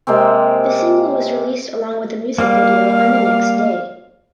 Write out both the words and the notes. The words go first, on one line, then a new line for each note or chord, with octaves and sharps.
The single was released along with the music video on the next day.
C3 G#3 A#3 C4
G3 A#3 F5